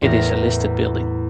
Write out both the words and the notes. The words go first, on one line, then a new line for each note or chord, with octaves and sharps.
It is a listed building.
E2 A2 A#4 A#6